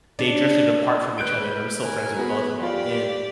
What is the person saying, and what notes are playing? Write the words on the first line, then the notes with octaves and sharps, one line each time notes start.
they drifted apart from each other and I'm still friends with both of 'em, and
D4
B4 F#6 G6 D7
A#4 G#5
B3 F#4 G#4 B4
F4 G4 D5